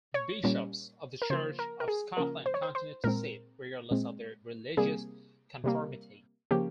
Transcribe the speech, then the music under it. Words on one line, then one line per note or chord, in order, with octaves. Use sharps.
Bishops of the Church of Scotland continued to sit, regardless of their religious conformity.
C#5
A#2 G3 A#3 C#4
A#4
C#3 F3 A#3 C5
A#4
A#4
G#4
C#3 F3 A#3 A#4
C5
C#5
C5
C5
A#2 G#3 C4 A#4
A#2 G#3 C4
C3 G3 A#3 G#4
C3 G3 A#3
C#3 F3 A#3 C#4 G4